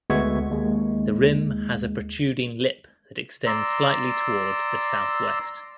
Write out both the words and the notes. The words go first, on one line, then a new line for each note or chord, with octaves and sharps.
The rim has a protruding lip that extends slightly toward the southwest.
D2 G#3 B3 E5 C#6 G#6
D#2 G#3
D5 A#5 C6 E6